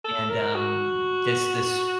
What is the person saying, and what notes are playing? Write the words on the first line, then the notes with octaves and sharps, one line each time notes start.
and, um, this this
A4
A#4
F#4